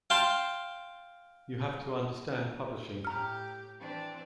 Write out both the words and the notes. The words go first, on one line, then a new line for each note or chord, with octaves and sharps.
You have to understand publishing.
F5 G5 A5 C6
A2 G4 A#5 F6
E3 C4 D4